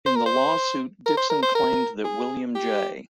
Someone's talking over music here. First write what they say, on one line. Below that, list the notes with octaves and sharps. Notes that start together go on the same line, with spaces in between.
In the lawsuit, Dickson claimed that William J.
C5
A#4
C5
A#4
C5
A#4
C5
A#4
G#4
G4